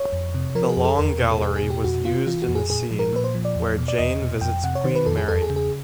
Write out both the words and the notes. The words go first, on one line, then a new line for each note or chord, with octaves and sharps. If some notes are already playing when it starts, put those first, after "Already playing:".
The long gallery was used in the scene where Jane visits Queen Mary.
Already playing: C#5
F2
C3
F3 A#4
G#4
F2
A4
E2 A#4
B2
A4
E2 G#4
G#4
B2
G4
F2 F#4
C3 F4
E3 F4
F#4
F2
G#4
A#2 G#4
F3
A#4
A#2 B4
C5
F3
D5
E2
B2
D5
E2 D#5
B2
F2 G5
C3 F#5
C#5
D#3 C5
B4
F2 A4
G#4
E2 A4
G#4
C#3
G#4